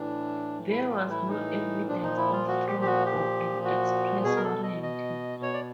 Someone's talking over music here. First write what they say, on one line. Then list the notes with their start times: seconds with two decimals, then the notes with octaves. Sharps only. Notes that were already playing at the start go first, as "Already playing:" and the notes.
There was no evidence of fraud or an express warranty.
Already playing: A2 E3 D4
0.70 E4
0.90 F4
1.10 E4
1.29 D#4
1.88 A#2 F3 D4
2.03 D#4
2.17 E4
2.33 F4
2.48 F#4
2.67 G4
2.81 G4
2.86 F#4
3.06 G4
3.65 F#4
4.24 B2 G#4
4.36 A#4
4.44 A4
4.63 D#5
4.83 D#5
5.42 C#5
5.54 D5